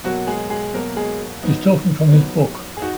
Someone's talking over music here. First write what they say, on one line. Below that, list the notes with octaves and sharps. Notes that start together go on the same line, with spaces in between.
He's talking from his book.
B2 F#3 A#3 F#4
G#3 G#4
G#3 G#4
B2 F#3 A#3 A#4
G#3 G#4
F#3 B3 D#4
F#3 B3 D#4
G#4
D#4 F#4